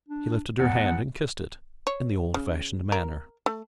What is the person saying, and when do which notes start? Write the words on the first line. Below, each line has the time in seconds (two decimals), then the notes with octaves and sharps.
He lifted her hand and kissed it in the old-fashioned manner.
0.08 D4
0.59 E2 F#5
1.87 C#5
2.34 C#3
2.92 A#4
3.46 A3